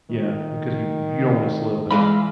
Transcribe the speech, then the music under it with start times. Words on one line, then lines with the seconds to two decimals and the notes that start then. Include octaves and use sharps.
Yeah, because you you don't wanna slip and
0.10 D#3
1.91 E3 G#3 F5 B5